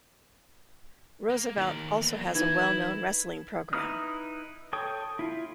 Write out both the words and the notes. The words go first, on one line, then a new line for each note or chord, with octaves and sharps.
Roosevelt also has a well known wrestling program.
A#3
D#2 A#4 D5
E2
E3 D#4 E4 G#6
D#4 E4 B4 D#6 F6
A4 C#5 G5 D#6
E4 F4